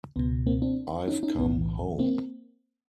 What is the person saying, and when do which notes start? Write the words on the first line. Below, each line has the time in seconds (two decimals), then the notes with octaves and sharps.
I've come home.
0.16 C#2 B2 B3
0.47 A#3 C4
0.62 C4 D4
1.08 C#4 D#4
1.23 C#4 D#4
1.38 B1 A2 E3 B3
1.99 A#3 C4